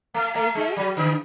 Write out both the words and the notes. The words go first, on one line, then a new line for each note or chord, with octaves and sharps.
Is it?
A3
A3
G#3
F#3
D3